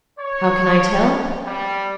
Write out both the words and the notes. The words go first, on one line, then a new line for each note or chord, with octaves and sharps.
How can I tell?
C#5
G3